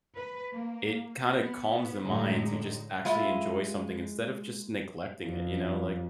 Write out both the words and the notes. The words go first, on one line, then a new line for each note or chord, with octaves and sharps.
it kinda calms the mind to just actually enjoy something instead of just neglecting it, you know, like,
B4
A#3
B3
A2 D3 F#3 G#3 D#4
G#3 E4 F4
F2